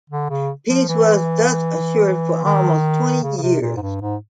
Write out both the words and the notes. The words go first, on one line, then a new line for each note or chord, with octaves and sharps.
Peace was thus assured for almost twenty years.
D3
C#3
F3
E3
D#3
C#3
C#3
C3
A#2
G#2
G2
G#2